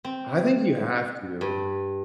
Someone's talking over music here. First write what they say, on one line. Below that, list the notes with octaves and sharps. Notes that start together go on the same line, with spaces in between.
I think you have to,
C4
G2